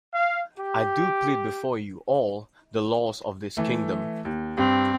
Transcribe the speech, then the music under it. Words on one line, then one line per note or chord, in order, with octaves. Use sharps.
I do plead before you all the laws of this kingdom.
F5
G4
E3 A3
D#2
G2 C4